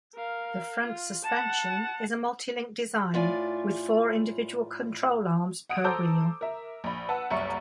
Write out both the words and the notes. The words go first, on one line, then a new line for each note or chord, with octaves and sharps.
The front suspension is a multi-link design with four individual control arms per wheel.
A#4 F5
F4
F#5 A5
A2 F4 D5 G#5
F#5 D#6 D7
A4 C5 A#5 D6 E6 G6
A#4 E5
A#1 B5
B4 F#5 A5 E6
F#1 C2 E5 C#6 C#7